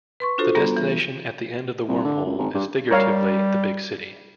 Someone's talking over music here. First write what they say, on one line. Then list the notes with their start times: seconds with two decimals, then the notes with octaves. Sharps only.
The destination at the end of the wormhole is figuratively "the big city".
0.20 B4 C6 C#6
0.38 D4 F4 F#4 A4 C5
0.55 G3 B3 A#5
0.77 E3
1.88 C2
2.04 D3
2.26 C#2
2.38 G#1
2.54 G2
2.91 G3 A#4 C#5 F5